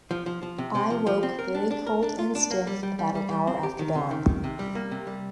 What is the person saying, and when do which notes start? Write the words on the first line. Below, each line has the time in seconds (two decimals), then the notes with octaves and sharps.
I woke very cold and stiff about an hour after dawn.
0.11 F3
0.26 F3
0.43 F3
0.58 C3
0.75 C3
0.90 F3
1.07 F3
1.23 C4
1.39 A#4
1.55 D4
1.71 D4
1.87 A#4
2.03 D4
2.19 F4
2.35 D4
2.51 A#3
2.67 G3
2.83 G3
2.99 G3
3.15 G3
3.31 G3
3.47 C4
3.63 G4
3.79 D#3
3.95 C3
4.11 D#3
4.27 D#3
4.44 C3
4.59 G3
4.75 A#3
4.91 C3
5.07 G3